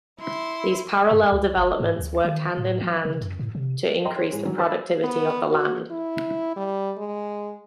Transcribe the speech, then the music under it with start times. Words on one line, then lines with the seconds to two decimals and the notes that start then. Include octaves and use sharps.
These parallel developments worked hand in hand to increase the productivity of the land.
0.20 E4 C6
1.11 G2
1.32 C#2
1.57 G1
1.80 G#2
1.99 D2
2.25 D#3
2.57 A2
2.81 F3
3.05 C#3
3.21 F#2
3.39 A2
3.55 C3
4.05 D#5 G5 A#5 C6
4.16 C5 C#5
4.31 A2 G#3
4.45 D#3 E3 F#3
4.58 B4 C5 E6 A6
5.04 B3
5.49 F#4
5.91 E4
6.56 G3
6.97 G#3